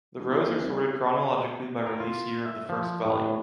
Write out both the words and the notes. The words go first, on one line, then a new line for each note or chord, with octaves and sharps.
The rows are sorted chronologically by release year of the first volume.
E1
E3
D#2
C2
A#4
F4
E5
F3
A2